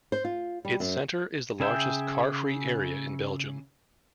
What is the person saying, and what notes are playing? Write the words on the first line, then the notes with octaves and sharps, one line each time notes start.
Its centre is the largest carfree area in Belgium.
C5
F4
G3
F#2
C#3 G#4 E5 G5